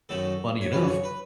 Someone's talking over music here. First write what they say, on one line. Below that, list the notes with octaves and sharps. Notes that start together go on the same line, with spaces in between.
funny enough
F#2 D#3 F#3 A3 A4
C#5
F#2 C#3 F#3 B4
C#5
B4